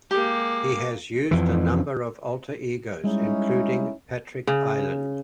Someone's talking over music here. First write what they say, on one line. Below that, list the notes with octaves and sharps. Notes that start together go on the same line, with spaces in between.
He has used a number of alter egos, including Patrick Ireland.
G#3 A#3 G4 D6
F2 E3
G3 G#3 C#4 D#4 E4
C#3